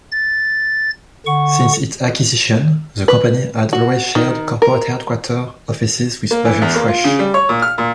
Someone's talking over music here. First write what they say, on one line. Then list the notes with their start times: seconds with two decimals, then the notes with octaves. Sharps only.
Since its acquisition, the company had always shared corporate headquarter offices with Baja Fresh.
0.11 A6
1.26 D3 F#5 C#6
3.08 B4
3.73 F#4
4.15 D#3
4.62 A#4
6.31 A#3
6.45 E3
6.62 E2
6.75 A#3
6.88 F4
7.04 C#3
7.19 G3
7.34 C#5
7.49 A#2
7.62 F6
7.78 A#2